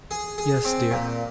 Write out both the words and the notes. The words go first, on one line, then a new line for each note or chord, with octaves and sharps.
"Yes, dear!"
G#4
G#4
C4
A#2